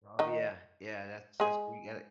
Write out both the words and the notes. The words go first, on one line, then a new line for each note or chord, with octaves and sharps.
Oh, yeah. Yeah, that's that's what you gotta
D#3 D#4
G#3 G#4